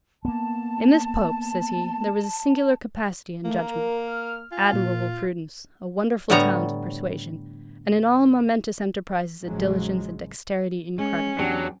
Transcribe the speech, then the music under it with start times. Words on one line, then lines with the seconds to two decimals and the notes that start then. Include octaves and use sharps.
In this pope, says he, there was a singular capacity and judgement: admirable prudence; a wonderful talent of persuasion; and in all momentous enterprizes a diligence and dexterity incredible.
0.25 A#3 B3 A5
3.44 A3 A#3
3.59 A#4
4.08 F6
4.52 F4 G#5
4.73 A#2
6.30 A2 D3 G3 B3 C#5 A#5
9.43 A1 C#3 F3 F#3 G#3
10.98 G#3 C#4
11.39 E2 F#3 D4 G4